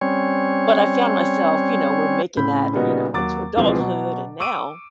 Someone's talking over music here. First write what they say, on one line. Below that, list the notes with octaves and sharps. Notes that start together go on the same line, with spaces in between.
but I found myself, you know we're making that, you know, into adulthood, and now,
G3 C4 C#4 C#5
A2 C#3 C4 C#4 B5 G6
A#2 C#3 G3 B3 D#4 F#4
D#2 F#3 D6 A6
C#2 B2 E3 F3 G#3 C4
B2 F#3
C#6 D6 E6 D7 D#7